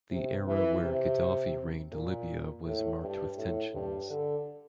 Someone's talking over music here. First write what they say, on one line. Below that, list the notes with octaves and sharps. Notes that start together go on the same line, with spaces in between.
The era where Gaddafi reigned Libya was marked with tensions.
C3
E3
C3
A#2
A2
G2
A2
G2
D3